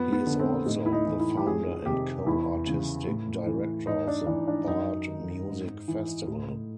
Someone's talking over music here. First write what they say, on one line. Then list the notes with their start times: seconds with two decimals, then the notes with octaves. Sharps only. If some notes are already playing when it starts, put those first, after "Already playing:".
He is also the founder and co-Artistic Director of the Bard Music Festival.
Already playing: F2 B3
0.12 B3
0.26 D3
0.40 C4
0.65 A2 D#4
0.86 E4
0.92 D#4
1.07 E3
1.20 E4
1.37 G4
1.46 F2 G#4
1.86 C3 D#3 G4
2.26 E2 E4
2.67 C#3 E3
3.07 A2
3.46 E3
3.87 G#2 D#4
4.07 D4
4.27 E3 D4
4.48 D4
4.67 F#2 D#4
5.08 D#3
5.48 G#2
5.88 E3
6.28 A2